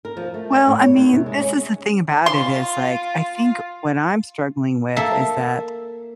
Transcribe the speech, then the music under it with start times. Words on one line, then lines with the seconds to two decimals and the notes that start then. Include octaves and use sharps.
Well, I mean, this is the thing about it is, like, I think what I'm struggling with is that
0.05 A#4
0.17 F3
0.34 A3
0.52 D5
0.67 A2
0.79 C#5
0.96 D#2
1.13 C3
1.26 G#3
1.39 C#4
2.26 F4 C6
4.97 A#3 A4 E5